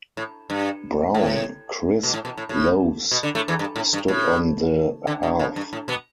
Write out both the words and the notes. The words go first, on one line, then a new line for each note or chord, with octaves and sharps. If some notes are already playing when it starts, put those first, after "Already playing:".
Brown, crisp loaves stood on the hearth.
A2
G2
A2
B2
A2
B2
A2
A2
B2
D3
A2 A3
E2 E3
G2
A2
G2
A2
D3
B2
A2
G2
A2
B2 B3